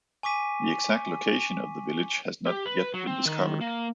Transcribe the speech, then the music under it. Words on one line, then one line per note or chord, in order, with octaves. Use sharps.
The exact location of the village has not yet been discovered.
G#5 C#6 D6 B6 D#7
G4
B4
F#3
C4
D#3
A#3